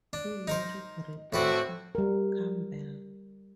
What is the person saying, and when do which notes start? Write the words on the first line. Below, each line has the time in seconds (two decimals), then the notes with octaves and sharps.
He married Rebecca Campbell.
0.13 D4
0.47 D#4 A#4 C5
1.33 A2 A3 C4 F#4 B4 D5
1.95 G3 A#4